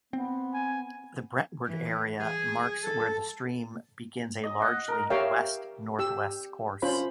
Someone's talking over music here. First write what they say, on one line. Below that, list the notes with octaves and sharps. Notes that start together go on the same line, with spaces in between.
The Brentwood area marks where the stream begins a largely west-northwest course.
B3 C4
G#5
E3
G#4
A4
D#5
F#5
A#4
G4 A#4 C#5 E5 F5 G5
G4 E6
C#4 F4 C5 B5